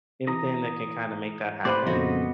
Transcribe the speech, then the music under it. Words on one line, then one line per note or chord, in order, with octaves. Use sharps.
anything that can kinda make that happen.
E3 D#5 A#5
A2 G4 B4 C5 D5
F2 A#2 C#3 G3 B3 F#4 D#5